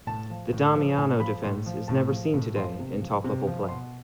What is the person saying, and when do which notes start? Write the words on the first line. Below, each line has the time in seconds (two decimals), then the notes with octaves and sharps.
The Damiano Defence is never seen today in top-level play.
0.07 A2 A5
0.30 F3
0.52 A2
0.75 F3
0.98 A2 G#5
1.20 F3 B5
1.44 A2 C6
1.66 F3
1.88 A2 A5
2.10 F3
2.34 A2
2.56 F3 C6
2.79 C3
3.01 F3
3.24 C3
3.47 F3
3.69 B2 C6